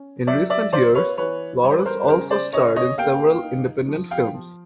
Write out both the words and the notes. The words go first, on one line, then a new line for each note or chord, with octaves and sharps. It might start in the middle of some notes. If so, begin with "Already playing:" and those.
In recent years, Lawrence also starred in several independent films.
Already playing: C#4
F#3 D5 E5
D5 E5
F4 C5 D5
B4 C#5
E3 B4 C#5
G3 C#5
C5
B4
A#4 C5
B4
C#3 A#4 C5
C5 D5
C#3 C#5 D#5
C#5 D#5
A#3 F5 G5
D#4
F3
F5 G5
F3